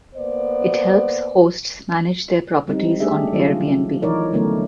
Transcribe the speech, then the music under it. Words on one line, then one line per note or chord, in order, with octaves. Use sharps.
It helps hosts manage their properties on Airbnb.
A#3 B3 C5 D5
G3 G#3 C4 D#4
A3 D4 G4 G#4 E5
D#3 F#3 F4
E3 F3 D#4 A#4 C#5 D5
D3 F#3 A3 B3 C#4 A#4